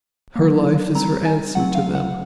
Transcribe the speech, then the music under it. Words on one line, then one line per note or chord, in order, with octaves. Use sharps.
Her life is her answer to them.
D3 F#3 A#3
G3 C4 A#5
G#5
F#3 A3 C4 F#5
F5
F#5